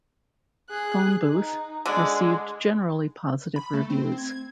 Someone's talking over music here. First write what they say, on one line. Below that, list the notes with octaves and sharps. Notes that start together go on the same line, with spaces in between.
"Phone Booth" received generally positive reviews.
G#4 F#6
D#4
D3 G#3 D4
B5
A3
C4
G#6